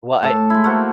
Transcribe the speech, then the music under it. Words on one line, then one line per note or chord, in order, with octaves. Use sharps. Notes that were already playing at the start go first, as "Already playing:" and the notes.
well, I
A2 A4 A5
G#3 E4
A3 A#3 F#4 C5